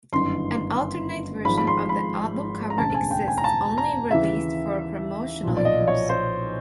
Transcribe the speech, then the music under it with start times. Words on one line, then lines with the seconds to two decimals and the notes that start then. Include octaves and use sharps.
An alternate version of the album cover exists, only released for promotional use.
0.12 G1 F#2 D#3 C6
1.45 G#1 G#2 F3 B5
1.58 B5
1.67 C6
1.89 B5
2.70 A#5
2.78 E1 D2 C#3 A5
2.94 G#5
3.11 G5
3.28 G#5
3.38 A#5
3.44 A5
3.78 A#5
4.11 D#2 C#3 E3 E5
5.43 B1 A#2 F3
5.57 D5
5.65 D#5
5.88 C#5
6.09 C5